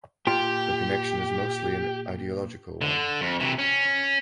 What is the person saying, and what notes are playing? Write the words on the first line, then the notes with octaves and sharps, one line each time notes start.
The connection is mostly an ideological one.
A#2 F4 G4 G5
D3
F2
C3 E3
C#4